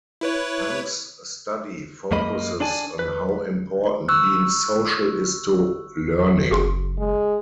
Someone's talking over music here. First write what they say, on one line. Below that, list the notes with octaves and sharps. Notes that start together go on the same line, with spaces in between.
Hung's study focuses on how important being social is to learning.
E4 B4 C#5
F#2 A#3 D#5 B5
D4 D5 G#5 A5
B4
C#6 E6 F#6
F#1 F#4 G#4 C6
G#3